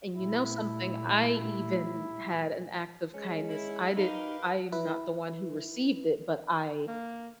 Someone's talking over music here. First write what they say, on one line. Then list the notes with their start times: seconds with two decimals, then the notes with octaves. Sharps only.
and, you know something, I even had an act of kindness; I did I'm not the one who received it, but I
0.15 A#2 G3 A3 E4
3.14 G#3 C#4
3.49 E4
3.97 D#4 G4 A#4 B4 F5
4.72 E4 B4
6.87 A#3